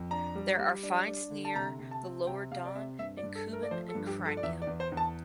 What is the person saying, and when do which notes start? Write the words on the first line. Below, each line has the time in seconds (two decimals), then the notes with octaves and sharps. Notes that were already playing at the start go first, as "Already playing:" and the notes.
There are finds near the lower Don and in Kuban and Crimea.
Already playing: F2
0.11 D4 A#5
0.35 G3
0.59 G3
0.83 D4
1.07 D4
1.31 D3
1.45 A5
1.56 C3 A#5
1.79 C3
1.91 A5
2.03 C4
2.27 C3 G5
2.52 C3 F5
2.65 D5
2.75 C4 E5
2.99 G2 E5
3.17 D5
3.23 G2
3.35 A4
3.48 A3
3.53 A#4
3.63 D5
3.71 F3 C5
3.89 A4
3.95 G2
4.07 G4
4.19 F3
4.25 A4
4.37 D5
4.43 E2 E5
4.62 D5
4.67 E2
4.80 C5
4.92 E2
4.97 A5